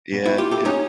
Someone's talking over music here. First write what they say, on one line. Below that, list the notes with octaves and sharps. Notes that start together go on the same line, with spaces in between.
Yeah, yeah.
B1 B2
E4 F#4
F4 G4
G4 A4
C#4 D#4